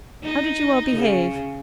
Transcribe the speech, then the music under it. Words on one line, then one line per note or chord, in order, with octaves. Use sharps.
How did you all behave?
D#4
C#3